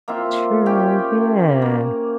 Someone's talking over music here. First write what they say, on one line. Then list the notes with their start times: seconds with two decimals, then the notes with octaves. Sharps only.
True, yeah.
0.08 A#3 C4 F4 E5
0.66 C#4 G4 G5
1.62 A#3